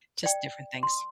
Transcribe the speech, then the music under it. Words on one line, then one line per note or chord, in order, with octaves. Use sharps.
just different things.
D5 G5
C6